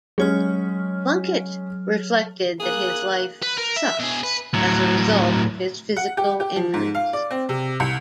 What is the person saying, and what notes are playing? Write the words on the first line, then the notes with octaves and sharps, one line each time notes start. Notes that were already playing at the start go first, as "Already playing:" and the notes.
Plunkett reflected that his life "sucks" as a result of his physical injuries.
F#3 G#3 C#4 C#5 F6
A#3 G#4 F#6
B4
A#4
E5
B2 G#4
B4
A2 F#3
F#5
G4
G4
F3
G#2
F5
D5
C4
C3
C2